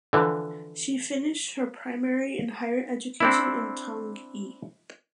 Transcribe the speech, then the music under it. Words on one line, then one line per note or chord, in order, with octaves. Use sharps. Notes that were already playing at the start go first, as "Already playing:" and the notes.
She finished her primary and higher education in Taunggyi.
D3 E3 F3
C4 D4 E4